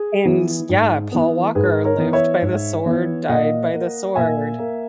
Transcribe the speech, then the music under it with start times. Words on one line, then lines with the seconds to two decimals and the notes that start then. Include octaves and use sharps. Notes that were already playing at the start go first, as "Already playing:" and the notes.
and yeah, Paul Walker lived by the sword, died by the sword.
Already playing: G#4
0.25 E3 B3
0.69 G#2
1.12 E3 B3
1.55 G#2 G#4 B4
1.85 A#4 C#5
1.98 E3 B3
2.13 C#5 E5
2.42 G#2
2.86 E3 B3
3.29 A#2 D#5 F#5
3.73 A#3
4.15 A#2 E5 G#5
4.59 A#3